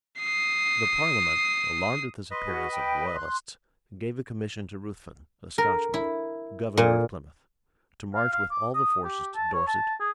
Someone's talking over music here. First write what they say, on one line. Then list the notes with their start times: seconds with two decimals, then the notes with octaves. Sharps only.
The parliament, alarmed at this appearance of the royalists, gave a commission to Ruthven, a Scotchman, governor of Plymouth, to march with all the forces to Dorset.
0.20 D#6 C7
2.31 B4 D#5 C6
2.46 F#4 G#4
2.71 G5 B5
3.14 C6 F#6
5.58 A#4
5.94 E4
6.77 A#2
8.15 F5
8.33 F5
8.51 D6
8.74 D#6
9.05 G4
9.35 A5
9.53 C#5
9.67 A5
10.00 G#4